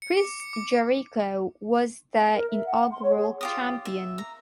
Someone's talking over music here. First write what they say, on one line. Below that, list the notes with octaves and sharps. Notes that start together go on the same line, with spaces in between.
Chris Jericho was the inaugural champion.
C#7
D6
C#7
D6
A#4
E5
F#5
C6
C#5
G#4
F4 G4 D#6
E5
A#5